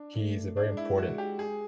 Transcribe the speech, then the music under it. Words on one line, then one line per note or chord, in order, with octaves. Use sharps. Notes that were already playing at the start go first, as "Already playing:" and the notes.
he's a very important
Already playing: D4
A3
G#3 D4
E4
F#4
G4
G#4